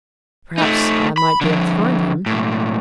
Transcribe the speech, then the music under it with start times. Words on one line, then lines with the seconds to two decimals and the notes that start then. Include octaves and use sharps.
Perhaps I might be able to find him.'
0.58 A3 D#4
1.18 B5
1.41 D3 F3
2.26 B1 A2